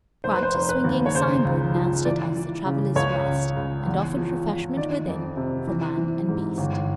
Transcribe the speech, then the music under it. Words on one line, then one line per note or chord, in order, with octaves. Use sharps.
In front, a swinging sign-board announced it as the "Traveller's Rest" and offered refreshment within for man and beast.
F1 C5
B4
C5
F1
B4
D#2
C#5
C#3 C5
C#2
F3
E3 D5
E3
C#3
C#2 C#5
C#2
C#2
E2
F3
F3
D#3 D5
F2
C3
E3
E3
G#2
G1